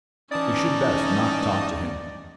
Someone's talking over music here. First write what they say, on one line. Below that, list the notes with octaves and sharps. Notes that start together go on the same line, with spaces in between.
"We should best not talk to him."
E3 C#4 D#4 D5 A5 D#6